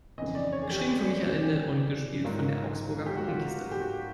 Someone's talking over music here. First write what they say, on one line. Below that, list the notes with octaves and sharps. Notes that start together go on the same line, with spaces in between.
Geschrieben von Michael Ende und gespielt von der Augsburger Puppenkiste.
F2 C#3 E3 D#5
D5
C#5
G#4
G4
G#2 D#3 F#3 F4
G4
F#4
F4
G4
F#4